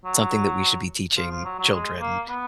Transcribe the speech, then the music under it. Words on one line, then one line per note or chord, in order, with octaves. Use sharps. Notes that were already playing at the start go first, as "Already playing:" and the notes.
something that we should be teaching children,
F#3
F3
F3
F#3
F#3
G#3
A#3
B3